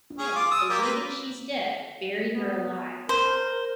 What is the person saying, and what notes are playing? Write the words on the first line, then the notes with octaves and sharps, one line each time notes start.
The two men, believing she's dead, bury her alive.
C#4 G#4
F4 D6
D#6 E6
A#3 F4 G4
A#3 B4
B3
A#4 C5